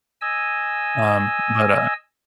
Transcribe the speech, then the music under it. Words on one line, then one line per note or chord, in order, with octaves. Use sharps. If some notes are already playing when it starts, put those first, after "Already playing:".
Um, but, uh
D#5 G#5 E6